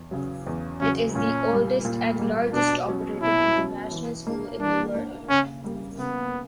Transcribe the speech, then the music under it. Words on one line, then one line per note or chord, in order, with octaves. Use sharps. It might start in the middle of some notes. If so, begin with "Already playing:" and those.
It is the oldest and largest operating international school in the world.
Already playing: E2
C#3 F#3
E2
C#3 F#3 C#4
A#2 C#4
G3 A#3
A#2
G3 A#3
B2 D4
F#3 C#4
B2 E4
F#3 C#4
E3
A#3 D4
E3 D4
A#3 D4
C#3 C#4
G3 A#3
C#3 B3